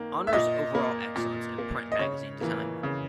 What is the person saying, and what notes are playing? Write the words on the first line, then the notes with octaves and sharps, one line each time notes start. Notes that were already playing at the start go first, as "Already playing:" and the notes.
Honors overall excellence in print magazine design.
Already playing: D#3 A#3
E5
A#2 D#5
A#3
A#2
A#3
D#5
C#3 C#5
E3 A#3
C#3